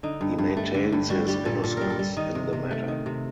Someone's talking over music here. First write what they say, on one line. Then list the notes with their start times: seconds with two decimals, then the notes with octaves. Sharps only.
He maintains his innocence in the matter.
0.03 D3 D#4
0.21 G2
0.38 G2
0.57 A3
0.74 D3
0.92 G2
1.10 G3 F#4
1.28 G3 G4
1.45 A#2 A4
1.64 A#2 A4
1.77 G3 A#4
1.90 A4
1.99 G3
2.17 D#3 D#4
2.35 C3
2.53 C3
2.71 A3
2.88 D#3
3.06 C3